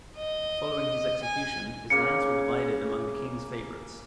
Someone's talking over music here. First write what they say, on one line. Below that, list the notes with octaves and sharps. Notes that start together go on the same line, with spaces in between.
Following his execution, his lands were divided among the king's favourites.
D#5
G#5
C#3 A#3 G#4 C#7